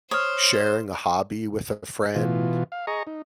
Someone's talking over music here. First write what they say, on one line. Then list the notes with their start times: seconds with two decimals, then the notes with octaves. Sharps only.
sharing a hobby with a friend
0.11 C5 C#5 D#6 F6
2.15 B2 E3 F4
2.72 F5
2.87 G#4 D#5 A#5 C#6
3.07 D#4